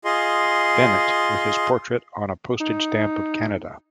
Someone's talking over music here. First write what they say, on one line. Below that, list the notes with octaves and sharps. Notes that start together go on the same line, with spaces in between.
Bennett with his portrait on a postage stamp of Canada.
F4 G#4 D#5 C6
D#4